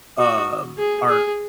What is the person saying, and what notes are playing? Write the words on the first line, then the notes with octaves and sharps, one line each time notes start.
um, our
F#4
G#4
G#4